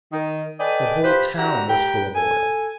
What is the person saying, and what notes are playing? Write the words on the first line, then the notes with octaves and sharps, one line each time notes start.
The whole town was full of oil.
D#3
A4 B4 D5 D#5 G5 G#5
F4 G4 B4 C5
D3 F#4 G4 E5 F#5 A#5
G4 A#4 B4 G5
A4 G#5